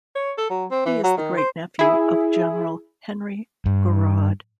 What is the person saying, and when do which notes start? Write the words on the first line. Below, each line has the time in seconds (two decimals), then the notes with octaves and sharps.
He is the great nephew of general Henri Gouraud.
0.15 C#5
0.37 A4
0.50 F#3
0.71 C4
0.85 E3
1.03 F#3
1.17 D#3
1.37 C5
1.79 E4 G#4
3.66 G2